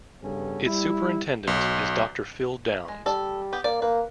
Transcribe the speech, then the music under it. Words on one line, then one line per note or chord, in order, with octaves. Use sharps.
Its superintendent is Dr.Phil Downs.
G2 C#3 B3 C#4 A4
G3 E4
B1
G#3
G3 A4 D5
B3 G4
A#3 D5
A#3 B4